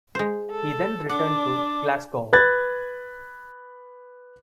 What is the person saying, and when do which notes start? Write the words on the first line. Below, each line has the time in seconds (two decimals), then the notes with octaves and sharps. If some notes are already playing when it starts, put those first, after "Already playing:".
He then returned to Glasgow.
0.15 G#3 C5
0.51 A4
1.09 D4 F#5 D6
2.33 B4 F#6 G#6 A6